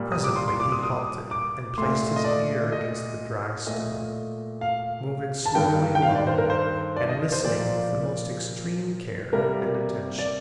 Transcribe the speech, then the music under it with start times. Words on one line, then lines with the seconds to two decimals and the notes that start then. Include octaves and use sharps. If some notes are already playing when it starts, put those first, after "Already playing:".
Presently he halted and placed his ear against the dry stone, moving slowly along and listening with the most extreme care and attention.
Already playing: A#2 G3 A#3
0.12 D#6
0.24 D6
0.36 C6
0.48 C6
0.60 D6
0.72 D#6
0.83 D#6
1.31 D6
1.78 A#2 A3 C6
2.16 D#5
2.25 D5
2.72 D#5
3.67 A#2 A3 D#5
4.61 F5
5.46 A5
5.55 G2 D#3 A#3 G5
5.95 G5
6.02 F5
6.15 D5
6.27 C5
6.38 A#4
6.50 C5
6.96 D5
7.09 D#5
7.32 C5
7.44 A#2 F3 A#3 D5
9.33 C3 G3 A#3 A#4
10.19 D5